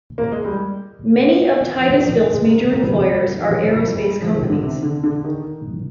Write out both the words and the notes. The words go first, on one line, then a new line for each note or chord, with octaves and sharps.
Many of Titusville's major employers are aerospace companies.
A#3
G#3
G3
F3
D#3
F3
G#3
G#3
A#3
C4
A#3
G3
F3
G3
D#3
F3
F3
G3
F3
G3
G#3
F3
D#3
D3
C3
D3
D3
D#3